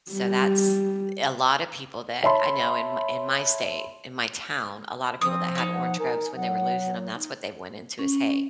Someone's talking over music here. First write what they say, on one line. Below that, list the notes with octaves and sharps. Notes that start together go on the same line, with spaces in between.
So that's A lot of people that I know in my in my state, in my town, a lot of people that had orange groves, when they were losing 'em, that's what they went into was hay.
G3
C#5 E5 A5 B5 C6
F3 C4 D#6
D#4 C#5
F#5
A#4 G#5
F#3 F#5
D#4
C#4